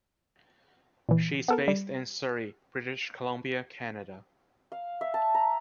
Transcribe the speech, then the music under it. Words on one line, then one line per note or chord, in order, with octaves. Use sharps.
She is based in Surrey, British Columbia, Canada.
A#2 E3
B3 A4 A#4
G3
F5
E5
A5
A#5